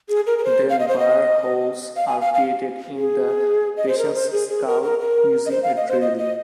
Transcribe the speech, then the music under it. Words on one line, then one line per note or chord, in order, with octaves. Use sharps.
Then burr holes are created in the patient's skull using a drill.
G#4
A#4
A#4
C5
F5
D#5
C5
D#5
F5
G#5
F5
F5
G#4
D#5
C5
A#4
C5
G#4
G#4
A#4
A#4
A#4
D#5
C5
F5
D#5
C5
D#5
D#5